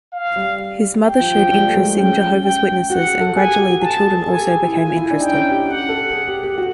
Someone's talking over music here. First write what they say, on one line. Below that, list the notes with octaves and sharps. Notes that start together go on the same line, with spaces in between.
His mother showed interest in Jehovah's Witnesses and gradually the children also became interested.
F5
G3
G5
F3
F3
G3
A3
G#3
C#4 G5
G5
F#4 F#5
G#4
A4
G#4 G#5
G4
F#4
F#4
F#4 A5
G#4
A4
A4 G#5
G4
G#4
E4
F4 G#5
E4
D4
D#4 G5
C#4
G4
G4 F#5
A4
G#4
G4
G4
F#4